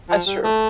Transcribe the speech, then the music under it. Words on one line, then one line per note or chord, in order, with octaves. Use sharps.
that's true.
F3
G3
A3